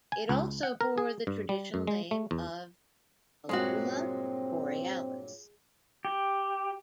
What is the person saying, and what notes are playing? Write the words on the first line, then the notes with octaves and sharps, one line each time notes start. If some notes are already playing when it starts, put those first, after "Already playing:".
It also bore the traditional name of "Alula Borealis".
G#5
C#2
F#5
A#4
G#4
G2
G3
F#2
G#3
A3
E2
G2 A#2 F#3 G#3 C4 F#4
G4